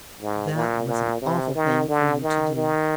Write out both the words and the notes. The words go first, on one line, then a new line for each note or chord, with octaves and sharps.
That was an awful thing for you to do.
G#2
A#2
A#2
C3
D#3
D3
D#3
D#3